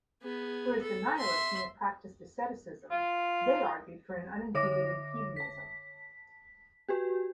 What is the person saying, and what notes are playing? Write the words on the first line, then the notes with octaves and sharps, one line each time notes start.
Whereas the nihilist may have practiced asceticism, they argued for an uninhibited hedonism.
B3 G#4
A4
E5 C6
F4
D3 C#5 E5 D6 A#6
A5 B6
F#4 G4 B4